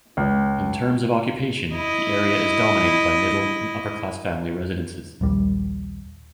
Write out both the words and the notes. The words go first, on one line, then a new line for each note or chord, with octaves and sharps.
In terms of occupation, the area is dominated by middle and upper-class family residences.
C#2
E4 D#5
A#1 D#2 G3